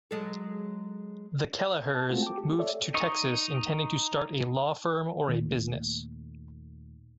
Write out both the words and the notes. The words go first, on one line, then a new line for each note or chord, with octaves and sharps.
The Kellehers moved to Texas intending to start a law firm or a business.
F#3 G#3 A4
A5
G#3 A3 C4 F4 F#4
G5 D6
G4
A4 C#5 D5 E5
D#4 D#5 C#6
D#2 A#2 D#3 A3